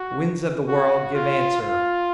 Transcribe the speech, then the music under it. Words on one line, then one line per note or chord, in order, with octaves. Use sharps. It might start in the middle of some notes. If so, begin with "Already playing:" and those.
Winds of the world, give answer!
Already playing: F#4
F#4
F4
F4